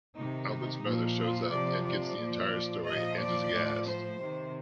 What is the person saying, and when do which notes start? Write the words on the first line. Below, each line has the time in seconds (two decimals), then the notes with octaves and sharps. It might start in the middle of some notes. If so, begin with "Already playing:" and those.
Albert's mother shows up and gets the entire story and is aghast.
0.16 C3 D#3 D#4
0.84 A#2 F3
1.17 F4
1.50 C3 F3 D5
1.85 D5
2.18 A#2 F3
2.85 A#2 F3 D#5
3.18 D5
3.53 A2 F3
3.87 C5
4.21 C3 D#3